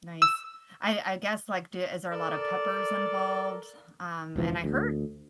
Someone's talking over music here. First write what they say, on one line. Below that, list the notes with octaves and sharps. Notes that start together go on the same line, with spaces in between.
Nice. I I guess, like, do is there a lot of peppers involved? Um, and I heard
E6
A4 A#4 D5
E1 C#2 E3 F3
D2